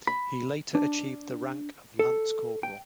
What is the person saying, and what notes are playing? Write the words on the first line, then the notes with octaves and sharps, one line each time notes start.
He later achieved the rank of lance corporal.
B5
D4
A4
G5